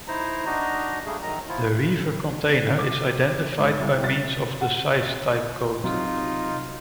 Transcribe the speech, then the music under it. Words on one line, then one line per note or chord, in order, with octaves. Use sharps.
The reefer container is identified by means of the size type code.
D#4 E4 C5 A#5
D4 D#4 F#4 D#5 A#5
C#3 G3 A3 D4 G#4
D#3 F#3 D#5 A#5
F3 E4 F4
D6
G#2
C2
A6
F#5
C3 F#3 D#4 F4